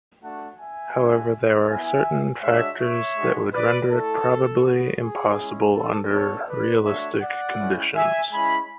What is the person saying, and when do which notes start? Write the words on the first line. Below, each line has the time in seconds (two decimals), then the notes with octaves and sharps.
However, there are certain factors that would render it probably impossible under realistic conditions.
0.22 A3 D4 F#4 F#5 A5
0.59 E5 G#5
0.95 G#3 D4 F#4
1.69 B3 E4 E5 G#5
2.43 G#3 D4 F#4 C#5 E5
2.80 C#5 E5
3.17 G#3 D4 F#4
3.54 B4 D5
3.91 A3 E4 A4
4.64 B3 F#4
5.01 G#4
5.38 G#3 C#4 E4
5.75 A4
6.11 B3 D4 F#4 A4 C#5
6.48 B4 D5
6.85 A3 D4 F#4 C#5 E5
7.22 D5 F#5
7.59 G#3 C#4 E4
7.96 E5 G#5
8.32 G#3 C#4 E4 G#5 B5